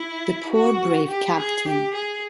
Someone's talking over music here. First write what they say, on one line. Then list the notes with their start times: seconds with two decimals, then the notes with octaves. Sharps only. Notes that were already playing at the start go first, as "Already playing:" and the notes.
The poor, brave Captain!
Already playing: E4
0.52 F#4
1.09 G4
1.38 G#4
1.67 G4
1.94 G#4